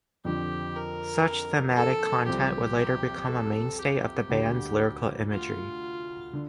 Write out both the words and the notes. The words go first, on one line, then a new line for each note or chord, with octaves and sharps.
Such thematic content would later become a mainstay of the band's lyrical imagery.
F2 D3 F3 G4
A#4
A4
C2 C3 F3 C4 G4
A4
G4
D2 D3 G3
F4
D3